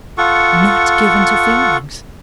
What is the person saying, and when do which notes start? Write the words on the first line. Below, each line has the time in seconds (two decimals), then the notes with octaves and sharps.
Not given to feelings!
0.18 F4 A4 F#5 C#6